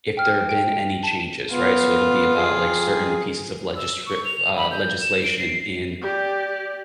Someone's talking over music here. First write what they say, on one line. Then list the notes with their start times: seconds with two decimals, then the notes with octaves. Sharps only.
if there have been any changes," right? So it'll be about, like, certain pieces of legisri uh, legislation in
0.17 G5 F6
0.49 G5
1.03 A5
1.51 B3 F4
2.38 F2 G#4
3.76 E6
4.06 C#6
4.25 F7
4.57 B5
4.71 G6
5.01 E7
5.23 D7
5.38 C7
6.01 G4 D5